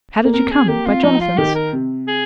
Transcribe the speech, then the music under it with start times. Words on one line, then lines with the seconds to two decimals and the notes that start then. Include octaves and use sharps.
'How did you come; by Jonathan's?'
0.25 A#3
0.33 C4 A#4
0.51 C4 G#4
0.68 A#3 G4
0.86 C4 F4
1.03 F3 D#4
1.21 F4
1.38 D#3 G4
1.55 A#4
1.73 C3
2.08 G#4